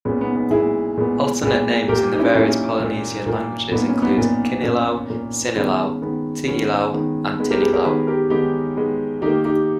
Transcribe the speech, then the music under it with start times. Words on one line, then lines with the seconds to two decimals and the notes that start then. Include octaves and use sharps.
Alternate names in the various Polynesian languages include Kinilau, Sinilau, Tigilau, and Tinilau.
0.05 A#2 G#3 B3 C#4
0.21 B3 D#4
0.36 B3 D#4
0.50 A#2 G#3 B3 E4 G#4
0.98 A#2 G#3 B3
1.43 A#2 G#3 B3
1.88 A#2 A#3 G4 A#4
2.13 D#4
2.19 C#4 E4
2.34 A#2 A#3 C#4 E4
2.80 A#2 A#3
3.26 A#2 A#3
3.72 A#2 A#3 B3 D#4
3.88 C#4
4.02 B3 D#4
4.18 A#2 A#3
4.63 A#2 A#3 C#4
5.10 A#2 A#3
5.56 D#3 G#3 B3 C#4
6.02 D#3 G#3 B3
6.47 D#3 G#3 B3 C#4
6.93 D#3 G#3 B3
7.39 D#3 G#3 B3
7.50 G4 A#4
7.61 G#4 B4
7.73 A#4 C#5
7.85 D#3 G#3 B3 G#4 B4
8.07 G4 A#4
8.30 D#3 G#3 B3 D#4 G4
8.76 D#3 G#3 B3
9.22 D#3 A#3 D#4 G4
9.45 D#4 G4